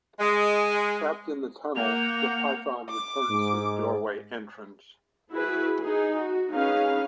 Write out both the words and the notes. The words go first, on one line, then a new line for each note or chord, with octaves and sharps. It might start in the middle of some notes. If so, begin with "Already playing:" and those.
Trapped in the tunnel, the python returns to the doorway entrance.
G#3
A#3 F#5 G6 F7
D6
G#2
E4 F#4 G#4 B4
D#4 G#4
F#4
C#4 D#4 G#4 B4 F5